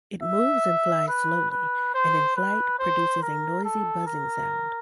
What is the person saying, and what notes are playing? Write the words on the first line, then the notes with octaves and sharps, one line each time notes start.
It moves and flies slowly, and in flight produces a noisy buzzing sound.
E5
B4
B4
C5
B4
C5
A#4
A4
A#4